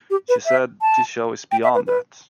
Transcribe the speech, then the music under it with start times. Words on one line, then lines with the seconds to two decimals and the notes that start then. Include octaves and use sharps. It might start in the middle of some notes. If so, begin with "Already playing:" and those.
She said, This show is beyond that.
0.10 G4
0.29 B4
0.46 E5
0.81 A5
1.52 G5
1.63 E5
1.75 B4
1.87 B4